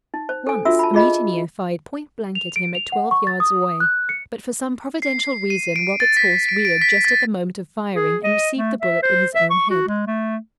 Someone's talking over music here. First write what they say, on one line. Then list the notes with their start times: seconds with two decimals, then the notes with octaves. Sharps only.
Once, a mutineer fired point-blank at him at twelve yards away, but for some providential reason Roberts' horse reared just at the moment of firing and received the bullet in his own head.
0.14 D#4
0.29 C5
0.47 A4 G#5
0.65 D4 F4 F#4 E5 E6
0.79 A5 B5
0.94 F4 G#4 D#5 B5
2.35 F7
2.56 D7
2.75 F7
2.92 F#5
3.11 C#6
3.27 A6
3.40 D#6
3.80 F#6
4.09 C#7
5.02 C7
5.50 D#7
5.76 D7
6.00 A6
6.17 B6
6.49 D7
6.65 D7
6.82 B6
7.05 A6
7.96 G#4
8.24 D#5
8.56 A3
8.82 E5
9.03 C5
9.35 E5
9.51 C#6
9.70 F#4
9.87 G#3
10.07 A3